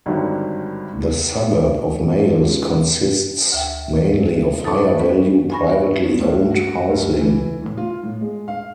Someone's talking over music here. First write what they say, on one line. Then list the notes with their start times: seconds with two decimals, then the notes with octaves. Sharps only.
The suburb of Mayals consists mainly of higher value privately owned housing.
0.06 G#1 G2 D3 D#3 F#3
2.18 C#2
3.52 D2 E5 G5
4.64 D#4 A4 A5 C#6 D6
4.99 B3 C#4 B4
5.52 G#5 B5 C#6 A#6
6.03 E2
6.20 D2
6.50 F#4
6.90 D2
7.21 E3
7.63 A2
7.77 F4
8.03 A2
8.21 G#3
8.48 F5